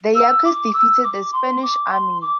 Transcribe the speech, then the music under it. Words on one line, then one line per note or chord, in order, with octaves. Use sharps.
The Yaquis defeated the Spanish army.
E6
D6
E6
D6
C6
D6
C6
D6